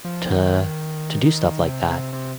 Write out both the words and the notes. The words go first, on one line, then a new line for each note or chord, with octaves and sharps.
to to do stuff like that.
F3
D#3
C3
C3